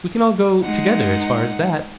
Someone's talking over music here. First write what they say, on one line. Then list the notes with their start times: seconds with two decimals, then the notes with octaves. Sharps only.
We can all go together as far as that.
0.61 G#3 D#4 F#5